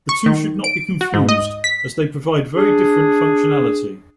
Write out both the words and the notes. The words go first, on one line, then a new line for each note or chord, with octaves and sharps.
The two should not be confused as they provide very different functionality.
C#6
D#3
D7
F#4
G#2
D#5
B6
D4 G#4